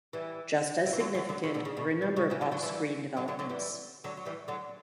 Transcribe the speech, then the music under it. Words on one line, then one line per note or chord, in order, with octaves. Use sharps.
Just as significant were a number of offscreen developments.
E3 G3
D3
E3
D3 F#3
D3 F#3
D3 F#3
C#3 E3
B2 D3
C#3
B2
B2
C#3
C#3 E3
D3 F#3
D3 F#3
E3 G3
D3 F#3
D3 F#3
D3 F#3
E3 G3
D3 F#3
F#3
E3 G3
D3 F#3